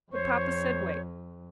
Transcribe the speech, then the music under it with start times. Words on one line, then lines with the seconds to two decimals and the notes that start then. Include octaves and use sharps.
But Papa said, "Wait."
0.12 F2 C5 C#5 C#6